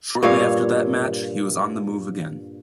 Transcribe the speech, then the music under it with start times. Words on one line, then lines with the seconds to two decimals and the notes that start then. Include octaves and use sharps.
Shortly after that match, he was on the move again.
0.23 G2 A#2 C#5 F5